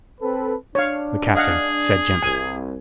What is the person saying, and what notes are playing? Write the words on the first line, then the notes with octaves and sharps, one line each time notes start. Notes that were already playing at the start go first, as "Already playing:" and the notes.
The Captain said gently.
C4 A4 B4
D4 C#5 F5
G#4 D#5 F5 F#5
C2 G#5